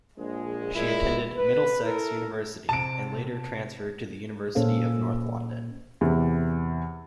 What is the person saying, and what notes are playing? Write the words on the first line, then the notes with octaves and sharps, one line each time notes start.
She attended Middlesex University, and later transferred to the University of North London.
A#1 G#3
A#2 G#3 E4
B4
E4 A4 A#4
C3 A5 D7
A#2 A#3 C#4 A4 C5 F5
E2 C3 E3